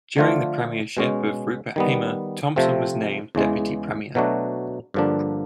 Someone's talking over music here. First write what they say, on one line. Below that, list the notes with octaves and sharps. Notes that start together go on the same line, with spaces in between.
During the premiership of Rupert Hamer, Thompson was named Deputy Premier.
D3 F3 A3 D4 F4
B2 G#3 C#4
D#3 G3 B3
C3 F3 A3 C4
E2 C#3 E3 G#3
B2 F#3 A3 D4 F#4
G2 D3 F3 A#3 D4